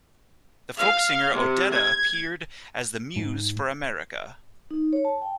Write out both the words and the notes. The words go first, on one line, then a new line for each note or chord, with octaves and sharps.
The folk singer Odetta appeared as the Muse for America.
F5
C3
G#6
G#2
D#4
C#5
A5
G5